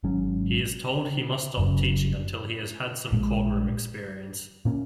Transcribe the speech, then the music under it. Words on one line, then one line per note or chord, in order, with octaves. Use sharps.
He is told he must stop teaching until he has had some courtroom experience.
G#1 G#2 F#3 C#4
F#1 F#2 C#3
A#1 A#2 G#3
A#2 A#3 C#4